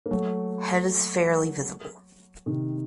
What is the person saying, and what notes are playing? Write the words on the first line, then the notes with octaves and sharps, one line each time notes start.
Head is fairly visible.
A#3
F#3 A3
C3 D#3